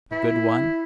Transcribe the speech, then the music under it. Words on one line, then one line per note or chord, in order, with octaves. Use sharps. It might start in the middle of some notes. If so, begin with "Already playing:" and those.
A good one?
E4